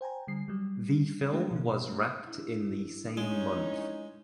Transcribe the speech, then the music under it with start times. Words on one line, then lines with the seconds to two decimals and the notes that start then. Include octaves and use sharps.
The film was wrapped in the same month.
0.01 C5 G5 G#5 A#5
0.27 D3 G3 C7
0.48 F#3 G3
1.33 G#3 A3 D4 G4
1.51 B2 A#3
1.89 A3
2.27 D4 E4
3.17 G#3 C#4 D#4